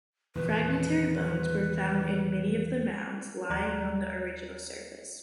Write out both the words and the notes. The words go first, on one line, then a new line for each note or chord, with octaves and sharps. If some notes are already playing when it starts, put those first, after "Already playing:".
Fragmentary bones were found in many of the mounds lying on the original surface.
E2 A#2 D#3 B4
D#2 F#3 D5 A#5 F#6